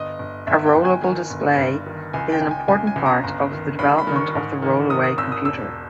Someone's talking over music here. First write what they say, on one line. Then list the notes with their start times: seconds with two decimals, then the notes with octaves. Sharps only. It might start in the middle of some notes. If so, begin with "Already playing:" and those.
A rollable display is an important part of the development of the roll-away computer.
Already playing: G1 D#5
0.19 G1
0.47 G1 E5
0.66 G5
0.75 G1
0.85 G#5
1.03 D#3 G#5
1.30 G1
1.58 G2
1.86 D#3
2.13 C#2 G#5
2.32 G5
2.42 C#2
2.51 G#5
2.68 C#2 G#5
2.87 G#5
2.96 C#2
3.06 A#5
3.24 G1 A#5
3.52 D#3
3.79 G2 B5
3.98 B5
4.07 D#3
4.16 C#6
4.35 G#2
4.62 D#3
4.90 D#3 D#6
5.04 D#6
5.18 G#1 E6
5.32 D#6
5.45 E1 E6